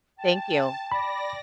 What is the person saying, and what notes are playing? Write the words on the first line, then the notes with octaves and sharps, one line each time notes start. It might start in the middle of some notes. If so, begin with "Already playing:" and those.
Thank you.
G5 A5
D5 B5 A#6